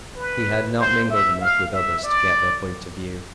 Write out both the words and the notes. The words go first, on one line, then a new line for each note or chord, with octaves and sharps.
He had not mingled enough with others to get their point of view.
B4
C5
E5
F5
E5
D5